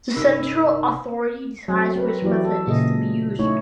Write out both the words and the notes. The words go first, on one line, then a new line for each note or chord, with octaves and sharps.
The central authority decides which method is to be used.
G1 C3 D#4 A#4 B5 E6
F#3 C4
C4 A#4 B4
E3 F#3 E4 G4 D5
A4
A#2 C#3 G#4 D#5
A3 C#4 D#4 E4 C#5